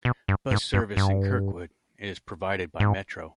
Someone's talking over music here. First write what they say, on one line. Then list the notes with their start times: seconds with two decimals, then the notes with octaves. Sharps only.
Bus service in Kirkwood is provided by Metro.
0.05 B2
0.28 G2
0.51 G#2
0.74 G2
0.97 G2
2.80 G#2